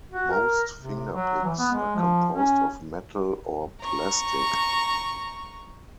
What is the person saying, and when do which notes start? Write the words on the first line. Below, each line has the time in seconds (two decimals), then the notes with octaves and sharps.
Most fingerpicks are composed of metal or plastic.
0.11 F#4
0.31 A#4
0.78 C3
1.13 F#3
1.44 E3
1.58 B3
1.72 G#3
1.95 F3
2.33 C#4
3.82 A#5 C#6